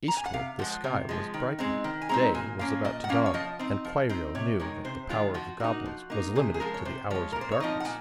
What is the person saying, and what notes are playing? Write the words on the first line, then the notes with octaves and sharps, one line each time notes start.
Eastward the sky was brightening; day was about to dawn; and Kwairyo knew that the power of the goblins was limited to the hours of darkness.
A#5
G#5
F#5
C3 F5
F3 G#3 F#5
C3
F3 G#3
D#3
G#3 C4 D#4
D#3
G#5
G#3 C4 D#4 A#5
A#2 G#5
F3 A#3 C#4 F5
A#2 D#5
F#5
F3 A#3 C#4 F5
C#5
F3 D#5
C4 D#4
F3
C4 D#4
C3 C#5
D#3 G#3 C#5
C3 C5
D#3 G#3 F4
F3 F#4
A#3 D#4 F#4
F3
A#3 D#4
C3 G#4
G#4
F3 G#3 A#4
C#5
C3 C5
F3 G#3 C#5
A#4
A#2
C5
C#5
F3 C4 D#4 D#5
F#5
A#2 G#5